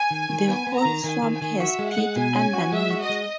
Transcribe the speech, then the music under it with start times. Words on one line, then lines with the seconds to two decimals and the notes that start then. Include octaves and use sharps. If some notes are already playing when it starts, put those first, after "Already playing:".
The whole swamp has peat underneath.
Already playing: G#5
0.11 D#3
0.29 D#3
0.48 B3 G#5
0.67 B3
0.76 A#5
0.85 D#3
1.04 D#3 G#5
1.23 D#3
1.31 G#5
1.42 D#3
1.60 F#4 E5
1.79 G#3
1.88 F#5
1.98 G#3
2.16 B2 G#5
2.35 C#4
2.53 F#4
2.72 G#3 E5
2.91 F#4
3.01 D#5
3.09 G#3